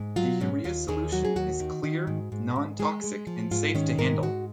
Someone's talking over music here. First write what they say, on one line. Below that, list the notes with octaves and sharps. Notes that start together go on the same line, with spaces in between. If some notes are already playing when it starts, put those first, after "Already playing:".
The urea solution is clear, non-toxic and safe to handle.
Already playing: G#2
F#3 F4
G#2 C#4
D#2 F4
D#2 G#4
F#3 F#4
G#4
D#2 F#4
D#3
D#3
G#2
G#2
G#2
G#3 G#4
G#3
F3
G#2 F4
D#3 C#4
G#2 A#4
G#2 F#4